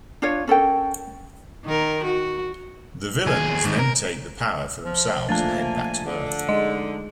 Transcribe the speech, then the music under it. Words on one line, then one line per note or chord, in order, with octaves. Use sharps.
The villains then take the power for themselves and head back to earth.
D4 F4 C#5
C#4 A4 A#4 G5
D#3 A#4
F#4
D#2 G#4
G#2 D#3
A#4
F3
A#2 F3 A3 A#3 D4 G#5 A5 A6
D3
G#3 D#4 D#5